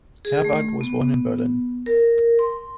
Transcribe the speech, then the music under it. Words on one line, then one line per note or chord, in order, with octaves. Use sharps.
Herwarth was born in Berlin.
G#4
A3
B3
A#4
C6